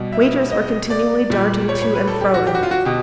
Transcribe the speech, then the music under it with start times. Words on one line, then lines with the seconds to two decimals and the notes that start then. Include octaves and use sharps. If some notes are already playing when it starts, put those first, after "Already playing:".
Waiters were continually darting to and fro in it.
Already playing: B2 G3
0.12 E5
0.51 D#5
0.90 D5
1.30 A#2 G3
1.69 C#5
1.82 C#5
1.95 B4
2.08 A4
2.21 G4
2.34 F#4
2.47 G4
2.55 F#4
2.63 F4
2.71 F#4
2.85 B2 G4